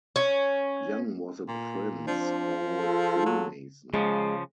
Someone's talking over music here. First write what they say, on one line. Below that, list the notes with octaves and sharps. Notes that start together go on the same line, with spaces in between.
Young was a Prince Hall Freemason.
C#4
A#2
F3 C4 D4
F4 G#4 A4
F#3
C#3 F3 G#3